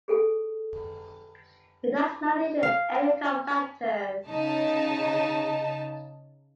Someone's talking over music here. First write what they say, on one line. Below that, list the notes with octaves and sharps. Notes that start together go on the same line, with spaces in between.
It does not need any cofactors.
G#4 A4 G#5
F5
C#3 D#4 A5